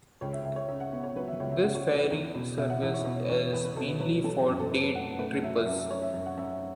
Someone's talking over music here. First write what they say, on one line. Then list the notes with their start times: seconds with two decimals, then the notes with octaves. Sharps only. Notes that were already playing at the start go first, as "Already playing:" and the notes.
This ferry service is mainly for day-trippers.
0.21 C#2 C#5
0.33 E5
0.44 C#2 E5
0.56 C#5
0.68 C#3 E5
0.80 F#5
0.92 B3
1.04 C#5
1.16 F#3 B4
1.28 E5
1.40 C#2 C#5
1.51 E5
1.63 C#3 F#5
1.75 C#5
1.87 C#3 B4
1.99 B4
2.11 E2
2.34 B2
2.57 B2 E5
2.70 F#5
2.82 E2 E5
2.94 C#5
3.05 B2 C#5
3.29 E2 C#5
3.53 E2 B4
3.65 B4
3.76 B2 A4
3.88 B4
4.00 F#3 B4
4.24 F#3 A4
4.48 F#2
4.60 A4
4.71 F#2 B4
4.84 B4
4.95 A3 F#5
5.19 A3 B4
5.43 F#3 E5
5.54 E5
5.66 F#2 E5
5.78 E5
5.90 F#2 C#5
6.02 E5
6.14 F#2
6.26 F#5
6.37 F#2 E5